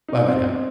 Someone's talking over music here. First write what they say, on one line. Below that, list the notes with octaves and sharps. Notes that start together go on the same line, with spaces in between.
Bye-bye now.
D#4
C4
C4